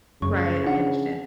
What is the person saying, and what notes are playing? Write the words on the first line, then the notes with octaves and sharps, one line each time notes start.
Right. I understand.
F#2 C#3 C#6
D4 F#5